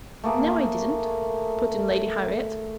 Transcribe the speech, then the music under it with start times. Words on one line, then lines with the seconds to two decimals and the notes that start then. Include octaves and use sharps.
"No, I didn't," put in Lady Harriet.
0.24 A3 A#3 G#4